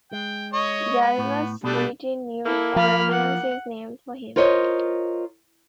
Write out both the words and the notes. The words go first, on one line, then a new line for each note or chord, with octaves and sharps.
Galvez Street in New Orleans is named for him.
G#3 G5
C#5 D#5 C#6
B3
A2
B2 G3 A3 D4
A#3 E4 A4
F3 B5 F6
F#5
F4 A#4 C5 C#5 D#5